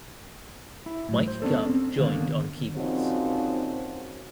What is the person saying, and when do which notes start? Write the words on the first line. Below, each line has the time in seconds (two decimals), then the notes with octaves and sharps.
Mike Gubb joined on keyboards.
0.86 E4
1.09 A2 F#3
1.28 C5
1.42 B3 C#4 D4 A4
1.69 C4
1.99 D3 D#3 A#3 B3
2.76 A#2 C#3 F3 C4 D#4 F#4